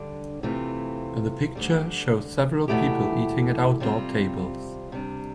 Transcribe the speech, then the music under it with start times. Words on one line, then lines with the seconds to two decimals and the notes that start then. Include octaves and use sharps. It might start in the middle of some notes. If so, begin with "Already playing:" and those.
The picture shows several people eating at outdoor tables.
Already playing: D3 G3 D4
0.43 C3 E3 A3 C4 F4
1.55 D2 D3 G3
2.68 E2 B2 A3 E4 G4
3.80 C3 G3 C4 F4
4.92 C3 G3 D4